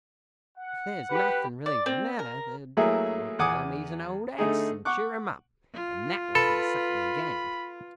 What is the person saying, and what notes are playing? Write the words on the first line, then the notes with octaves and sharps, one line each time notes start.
If there's nothing really the matter, the doctor will tell him he's an old ass, and cheer him up; and that will be something gained.
F#5
G4 B4 B5
D5
C4
A#4
F#3 A3 A#3 E4 G#4
E2 F#5 G#5 D6 D#6
D3 A3 D#4 G#4
F#5 C#6 D6 F#6
F4
A4 B4 B5